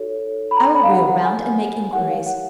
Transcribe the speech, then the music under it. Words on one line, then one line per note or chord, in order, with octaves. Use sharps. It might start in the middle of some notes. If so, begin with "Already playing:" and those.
I will reel round and make inquiries.'
Already playing: D#4 F#4 A4 C#5
B5
A#5
B5
F5
F#5
F#5
G#5
E4 G4 A#4 C#5 F#5
F5
F#5